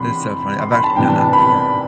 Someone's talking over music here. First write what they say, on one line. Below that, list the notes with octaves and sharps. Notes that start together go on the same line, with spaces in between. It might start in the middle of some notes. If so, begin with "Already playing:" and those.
That's so funny, I've actually done that before.
Already playing: E2 C3 B5 C6
C6
B5
A5
C3 E3 B3 D4 G5
A5
A5
B5